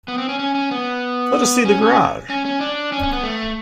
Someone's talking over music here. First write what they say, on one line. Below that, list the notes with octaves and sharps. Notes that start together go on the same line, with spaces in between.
Let us see the garage!
B3
C4
C#4
C#4
C#4
B3
C#4
C#4
C#4
C#4
D4
C#4
C#4
B3
A3